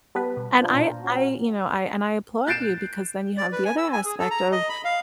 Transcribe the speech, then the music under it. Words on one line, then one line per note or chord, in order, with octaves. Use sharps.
and I I you know, I and I applaud you, because then you have the other aspect of,
G3 B3 B4 A5
B2
D4 F4 C5
A#2 A#5
C#4 F#4
F#6 G6 A6 C7 D7 E7
D5
B4
G#5
E6
G#5
G#4
A4
A#5
D#5
B5
F5